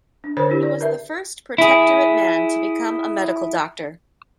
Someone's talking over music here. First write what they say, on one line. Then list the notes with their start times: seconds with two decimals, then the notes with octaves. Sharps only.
He was the first Protectorate man to become a medical doctor.
0.24 D4
0.37 D3 C5 C#5
0.50 D4 E4 G4
0.63 D5
0.81 A#4 B4 E5
1.58 E4 G#4